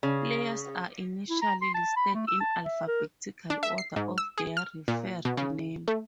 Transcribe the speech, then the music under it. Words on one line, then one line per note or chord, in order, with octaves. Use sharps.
Players are initially listed in alphabetical order of their referred name.
C#3
E4
A#5
C6
A5
B5
A3
E6
A5
E5
A#4
D4
E5
C7
G#2
E6
G#4
F6
A#2
B2
C#3
A3